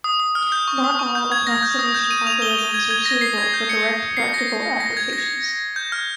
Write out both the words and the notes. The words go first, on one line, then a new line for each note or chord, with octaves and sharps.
Not all approximation algorithms are suitable for direct practical applications.
D#6
D#6
F6
G6
C#6
D#6
C#6
G6
G#6
A#6
G6
D#6
G6
D#7
F7
G7
D#7
G#6
G#6
A#6
C7
G#6
G6
C#7
C7
A#6
A#6
G#6
A#6
G6
F6